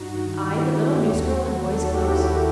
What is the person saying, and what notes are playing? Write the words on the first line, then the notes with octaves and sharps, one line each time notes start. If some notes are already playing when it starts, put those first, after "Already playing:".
I, the little newsgirl in boy's clothes?
Already playing: G2 D#4 F#4
D#3
D#3 E4 G4
D#3 E4 G4
D#2 F#4 A4
D#2
D#3 A4
G4
F#4
D#3 E4 G4